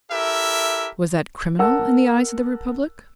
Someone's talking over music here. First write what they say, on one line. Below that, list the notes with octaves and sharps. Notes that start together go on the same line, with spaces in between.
Was that criminal in the eyes of the Republic?
E4 G4 A4 A#4 E5
A#4 F#5 A5 E6